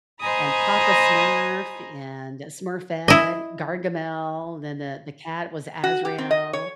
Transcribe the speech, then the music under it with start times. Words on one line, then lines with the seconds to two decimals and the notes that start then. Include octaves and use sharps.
And Papa Smurf, and Smurfette, Gargamel, then the the cat was Azrael.
0.20 C5 D#5 G#5 A#5 B5 D#6
3.08 E4 D#5
5.84 F#4
6.05 G4
6.18 C4
6.31 D#5
6.53 C#5